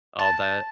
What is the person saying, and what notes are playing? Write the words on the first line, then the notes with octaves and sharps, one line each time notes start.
all that,
A5